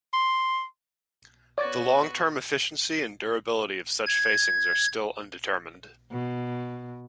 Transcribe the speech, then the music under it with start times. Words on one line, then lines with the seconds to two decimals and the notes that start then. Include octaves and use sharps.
The long-term efficiency and durability of such facings are still undetermined.
0.13 C6
1.58 B3 F#4 C#5 D5 D6 A6
4.06 G#6
6.11 B2